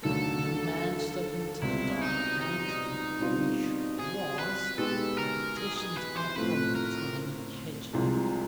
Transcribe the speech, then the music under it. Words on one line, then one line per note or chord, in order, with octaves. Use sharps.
The young man stepped into the dark entry, which was partitioned off from the tiny kitchen.
D#2 D3 F#3 A3 A4
C#2 B2 G3 C4 E4
D#4
D#4
B2 G3 C4 F4
G#4
B4
B2 G#3 B3 D#4 G4 A4
A#4
G#4
G#4
B4
C5
A2 F3 A3 C4 B4
A#4
C2 C3 F3 G#3